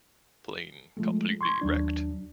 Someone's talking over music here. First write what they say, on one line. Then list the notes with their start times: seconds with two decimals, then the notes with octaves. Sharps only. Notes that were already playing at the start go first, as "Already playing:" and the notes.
Plane completely wrecked.
0.97 F3 G#3 A3
1.41 C6 C#6 G#6
1.61 D#2 F#3 D4